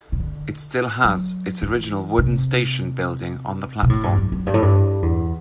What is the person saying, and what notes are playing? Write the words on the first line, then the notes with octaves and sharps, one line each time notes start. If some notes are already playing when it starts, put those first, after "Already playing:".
It still has its original wooden station building on the platform.
C3
D3
F#3
E3
C3
B2
A2
G2
F#2
F#2
G2
A2
G2
E2